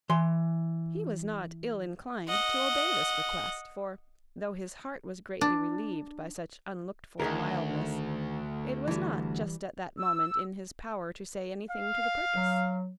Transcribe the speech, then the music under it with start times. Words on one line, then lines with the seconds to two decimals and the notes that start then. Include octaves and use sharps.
He was not ill-inclined to obey this request, for, though his heart was greatly relieved by such unlooked-for mildness, it was not just at that moment in his power to say anything to the purpose.
0.10 E3 C6
2.28 D#5 F#5
5.41 D4
7.20 D2 D#3 G#4 A#4
8.88 E3 G3
9.99 E6
11.71 F5
12.36 F#3